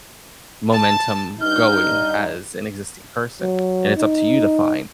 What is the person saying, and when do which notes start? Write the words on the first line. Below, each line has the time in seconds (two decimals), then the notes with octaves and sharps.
momentum going as an existing person, and it's up to you to find
0.71 A5
1.41 G2 D#4 F6 G6
3.42 F#3
3.97 D#4